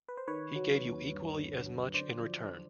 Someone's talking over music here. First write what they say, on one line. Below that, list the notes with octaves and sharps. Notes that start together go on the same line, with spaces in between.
He gave you equally as much in return.
B4
C5
D#3 B4 C#5
F#3
D#2
G2
D3
F#3
D3 C5 D5
F3